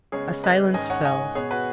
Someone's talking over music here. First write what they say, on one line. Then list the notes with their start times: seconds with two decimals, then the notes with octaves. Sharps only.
A silence fell.
0.12 C#3 G#3 B3 G#4 C#5
0.44 B4 D#5
0.73 G#2 D#3 G#3 C#4 D#5 G#5
0.90 C#5 F#5
1.05 D#5 G#5
1.35 B2 B3 G#4 C#5
1.51 F#4 B4